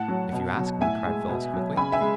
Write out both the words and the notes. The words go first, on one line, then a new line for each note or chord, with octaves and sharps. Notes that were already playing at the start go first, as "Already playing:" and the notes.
"If you ask me," cried Phyllis quickly.
Already playing: A2 F#5 A5
F#3
B2
F#3
A2 E5 G#5
G#3
B2
F#3
C#3 G#5 B5
E5 G#5
G#3